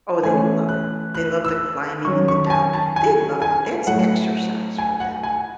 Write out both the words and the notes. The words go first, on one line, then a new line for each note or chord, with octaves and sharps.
Oh, they love it, they love the climbing and the down they love it, that's exercise for them.
E3 A3 C#4 G#5
F#6
F#6
E6
D#3 F#3 C#4 C#6
C#6
A5
G#5
A5
G#5
G#5
A2 F#3 A3 F#5
G#5
F#5
G#5